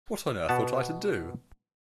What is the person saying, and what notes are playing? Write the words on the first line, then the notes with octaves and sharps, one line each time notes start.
What on earth ought I to do?
B2 B3 F#5 A5